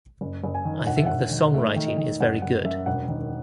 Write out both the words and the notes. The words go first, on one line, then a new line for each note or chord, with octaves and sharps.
I think the song writing is very good.
F#1
F#1
G#5
D#3
E1 F#5
E5
E1 F#5
D#3
A3 E5
D#3
D#5
D#3
F#1 F#5
F#1 F#5
F#2 E5
E1 F#5
D#3